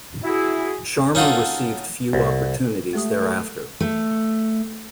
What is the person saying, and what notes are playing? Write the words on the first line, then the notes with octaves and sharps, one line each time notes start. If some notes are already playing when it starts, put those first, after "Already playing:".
Sharma received few opportunities thereafter.
E4 F#4 G#4
C#4 D#4 F4 F#4 A4
C2
G#3 A3 G4 D#6
A4
A3